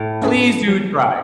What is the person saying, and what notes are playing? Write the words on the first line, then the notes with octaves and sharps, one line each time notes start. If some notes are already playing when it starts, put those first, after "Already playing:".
Please do try.
Already playing: A2
A3 C#4 G#4 B4
F#3